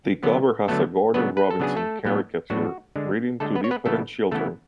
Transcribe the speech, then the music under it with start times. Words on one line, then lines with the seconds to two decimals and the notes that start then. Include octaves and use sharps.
The cover has a Gordon Robinson caricature reading to different children.
0.23 D3 F#3 B3
0.68 D3 F#3 A3 B3 A4
1.14 C#3 F#3 B3 D4 B4
1.37 B4
1.51 A4
1.60 C#3 F#3 B3 D4 G#4
1.76 A3 A4
2.05 A2 F#3 B3 D4
2.50 A2 F#3 B3 D4 F#4
2.96 D3 G#3 D4
3.40 D3 G#3 A3 D4 A4
3.56 B3 B4
3.64 C#5
3.71 B3 B4
3.86 C#3 E3 A3 B3 E4 A4
4.31 C#3 E3 A3 B3 E4 A4